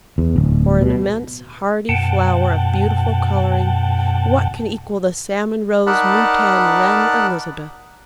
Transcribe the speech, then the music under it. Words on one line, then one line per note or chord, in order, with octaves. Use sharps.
For an immense hardy flower of beautiful colouring what can equal the salmon-rose Moutan Reine Elizabeth?
E2
D1
B2
F#2 B2 F#5 G5 A5
D#4 A#4 D5 F#5 A5 B5